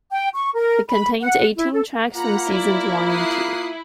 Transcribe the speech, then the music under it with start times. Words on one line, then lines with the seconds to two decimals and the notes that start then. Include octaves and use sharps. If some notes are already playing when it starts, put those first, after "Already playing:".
It contains eighteen tracks from seasons one and two.
0.11 G5
0.34 C#6
0.54 A#4
0.90 B5
1.20 F#5
1.56 E4
1.72 A4
2.15 A#3 F4 F#5 A#5 B5
2.50 E4 D5
3.08 D#6 F#6 C7